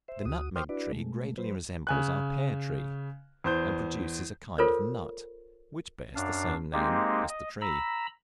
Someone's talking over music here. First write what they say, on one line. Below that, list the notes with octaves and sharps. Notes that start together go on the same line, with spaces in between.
The nutmeg tree greatly resembles our pear tree, and produces a kind of nut, which bears the same name as the tree.
C5 E5
D2 F#4 D#6
C5 G5 C6 D6 D#6 F6
D4 E4 F#4 B4 D5
B2 G#3 A3
F#3 B4 C5
C#3 G#5 F#6
E2 C5 G6
F4 A4 A#4 C5 C#5
F#2 D4 F5
G#3 A#3 C4 D#4 G4
D#5
A#5 B5 E6